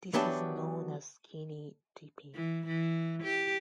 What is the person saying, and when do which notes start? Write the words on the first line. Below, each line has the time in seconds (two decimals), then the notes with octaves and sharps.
This is known as skinny dipping.
0.13 E3 F#3 B3 D4 G4 A5
2.35 E3
2.67 E3
3.23 G4